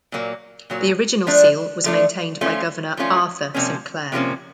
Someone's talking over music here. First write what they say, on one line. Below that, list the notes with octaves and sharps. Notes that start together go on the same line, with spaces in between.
The original seal was maintained by Governor Arthur Saint Clair.
A#2 F#3 A#3
A#2 F#3 A#3
F3 A3 D4
F3 A3 D4
F3 A3 C#4 F4
F3 A3 C#4 F4
C3 F3 A#3 C#4
C3 F3 A#3 C#4